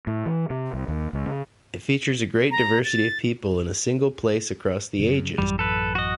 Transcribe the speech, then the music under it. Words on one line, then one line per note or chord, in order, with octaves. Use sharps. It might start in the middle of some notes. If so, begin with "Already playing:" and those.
It features a great diversity of people in a single place across the ages.
A2
E3
C3
C2
D#2
C#2
C#3
A#5
A6
F#2 C#3
A1 F#2 E3 G3
A4 B4
F#4 D#5